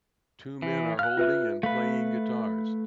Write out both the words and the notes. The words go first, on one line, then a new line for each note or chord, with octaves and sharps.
Two men are holding and playing guitars.
E3
F5 F6 F#6
F4 B4 E5
A3 B4 F5